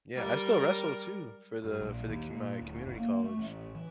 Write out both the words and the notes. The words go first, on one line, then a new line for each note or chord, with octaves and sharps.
yeah, I still wrestle, too, for the for the commu my community college.
G3 A#4
G2
A#1
D#2
A#2
D1
F#1
A#3
A3
A1
E3